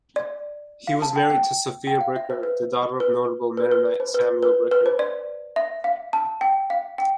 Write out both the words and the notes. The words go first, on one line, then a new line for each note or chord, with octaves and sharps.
He was married to Sophia Bricker, the daughter of notable Mennonite Samuel Bricker.
D5
F5
A5
G5
G5
G5
F5
E5
C5
B4
B4
B4
B4
C5
B4
B4
B4
C5
D5
E5
F5
A5
G5
F5
G5